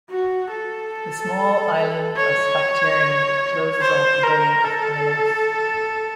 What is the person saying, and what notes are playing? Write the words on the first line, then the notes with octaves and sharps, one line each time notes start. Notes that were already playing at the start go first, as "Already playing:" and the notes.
The small island Sphacteria closes off the bay of Pylos.
F#4
A4
C#5
C5
A#4
A4